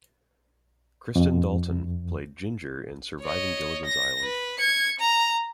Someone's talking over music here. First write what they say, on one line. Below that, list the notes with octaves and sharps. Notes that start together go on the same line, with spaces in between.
Kristen Dalton played Ginger in "Surviving Gilligan's Island".
F2
C#5 D#5
A#6
B4
G#6 C#7
A#5